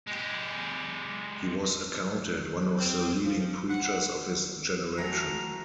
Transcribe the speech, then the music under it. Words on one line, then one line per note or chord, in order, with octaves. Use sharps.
He was accounted one of the leading preachers of his generation.
G#3 G4
C4
F3
F#5
E3 F#3 A3 C4 F#4 A#5